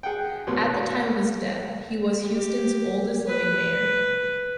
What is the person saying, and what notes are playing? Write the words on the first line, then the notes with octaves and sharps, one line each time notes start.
At the time of his death, he was Houston's oldest living mayor.
G#4 F#5 G5
A1 B2 B4 C6
G4
B4